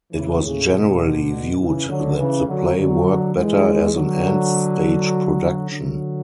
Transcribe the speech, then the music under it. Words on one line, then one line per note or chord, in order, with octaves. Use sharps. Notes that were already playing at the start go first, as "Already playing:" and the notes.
It was generally viewed that the play worked better as an end-stage production.
C#3 E3
A2 C#3
B2 D3
C#3 E3
D3 F#3
C#3 E3
D3 F#3
D3 F#3
E3 G#3
D3 F#3
D3 F#3